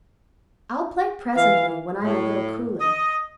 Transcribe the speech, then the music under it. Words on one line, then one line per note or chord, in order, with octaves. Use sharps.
'I'll play presently, when I'm a little cooler.
E3 F5
A2
D#5